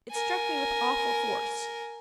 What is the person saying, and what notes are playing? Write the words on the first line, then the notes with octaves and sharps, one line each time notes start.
It struck me with awful force.
A#4 G#5